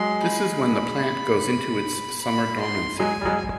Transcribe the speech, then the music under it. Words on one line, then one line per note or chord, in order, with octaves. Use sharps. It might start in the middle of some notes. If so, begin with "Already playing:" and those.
This is when the plant goes into its summer dormancy.
Already playing: F#3 G#3 C6
B5
B5
C6
F#3 G#3 G#5
G3
F#3 G#3